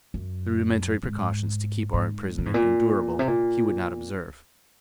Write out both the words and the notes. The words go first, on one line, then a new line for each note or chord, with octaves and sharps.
The rudimentary precautions to keep our imprisonment endurable he would not observe.
F#2
G#2
G#2
A#2
G#2
A#2
C3
A#2